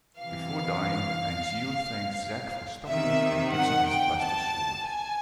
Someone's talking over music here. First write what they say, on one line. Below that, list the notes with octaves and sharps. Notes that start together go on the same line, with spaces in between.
Before dying, Angeal thanks Zack for stopping him and gives him his Buster Sword.
C3 E3 F5
C3 D#3 E5
F#5
G5
A5
G#5